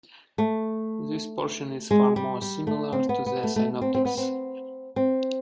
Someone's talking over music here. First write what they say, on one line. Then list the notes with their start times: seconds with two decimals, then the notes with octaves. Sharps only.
This portion is far more similar to the synoptics.
0.38 A3
1.91 G#3
2.16 G3
2.42 G3
2.67 A3
2.92 C4
3.09 B3
3.26 B3
3.44 A3
3.56 A3
3.81 C4
3.95 C4
4.05 B3
4.17 C4
4.96 C4